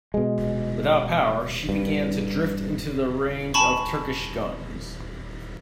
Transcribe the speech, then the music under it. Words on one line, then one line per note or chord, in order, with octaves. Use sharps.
Without power, she began to drift into the range of Turkish guns.
B2 G#3
G2
G#5 A5 B5 C#6